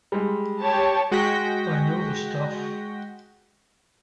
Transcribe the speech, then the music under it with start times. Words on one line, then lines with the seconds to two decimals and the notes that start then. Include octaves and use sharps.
I know the stuff.
0.12 G3 G#3
0.61 G4 C#5 A5
1.11 G#3 F#4 G5 G6 A#6 B6